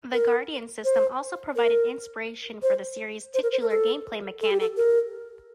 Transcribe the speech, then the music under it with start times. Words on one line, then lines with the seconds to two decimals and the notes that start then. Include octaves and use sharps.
The Guardian system also provided inspiration for the series' titular gameplay mechanic.
0.13 A#4
0.85 C5
1.56 A#4
2.63 C5
3.34 C5
3.43 A#4
3.52 C5
3.61 A#4
3.70 A4
4.41 A4
4.51 G4
4.60 A4
4.77 A#4